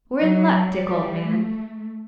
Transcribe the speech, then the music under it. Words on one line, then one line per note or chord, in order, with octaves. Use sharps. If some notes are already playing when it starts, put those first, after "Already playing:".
We're in luck, Dick, old man.'
F#3
G3
A3